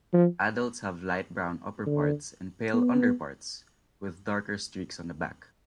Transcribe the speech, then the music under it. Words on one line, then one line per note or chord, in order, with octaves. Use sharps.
Adults have light brown upperparts and pale underparts, with darker streaks on the back.
F3
D3
B3